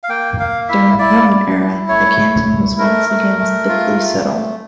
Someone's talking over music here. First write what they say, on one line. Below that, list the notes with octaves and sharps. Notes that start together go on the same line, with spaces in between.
During the Roman era, the canton was once again thickly settled.
F5
A#3 G5
A#3 F5
E4 E5
E4 D5
E4
E4
A3 C#5
E4
A3
A3 A#4
A3
A3
F4
A3
A3